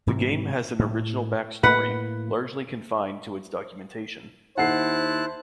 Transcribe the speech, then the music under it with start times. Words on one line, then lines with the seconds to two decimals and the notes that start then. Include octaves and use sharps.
The game has an original backstory, largely confined to its documentation.
0.07 G#2 C3 E3
0.79 A2
1.63 A2 A#3 B4 F#5
4.58 D#2 E4 C5 F#5 A5 F#6 C7